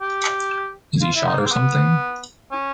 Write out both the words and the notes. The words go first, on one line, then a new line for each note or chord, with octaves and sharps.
Is he shot or something?
G4
F4
E4
D#4
A#3
C4
B3
C#4